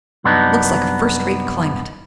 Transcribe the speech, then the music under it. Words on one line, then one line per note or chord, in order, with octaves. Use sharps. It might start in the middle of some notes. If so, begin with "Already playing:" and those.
Looks like a first-rate climate.
C2 F#2 B3 D4 D#4